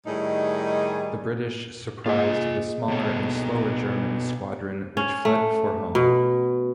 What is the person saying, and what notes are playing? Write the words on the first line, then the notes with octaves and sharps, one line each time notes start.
The British surprised the smaller and slower German squadron, which fled for home.
A2 D#3 G3 D#4 G#4
A#3 F4 G#4 D#5 G#5
B2 B3 A4
C#4
A3
B2